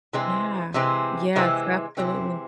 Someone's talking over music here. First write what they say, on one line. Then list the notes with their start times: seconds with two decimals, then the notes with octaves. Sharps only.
qYeah. Yes, absolutely.
0.13 C3 E3 G#3 C4
0.74 C3 E3 G#3 C4
1.36 C3 E3 G#3 C4
1.97 C3 E3 G#3 C4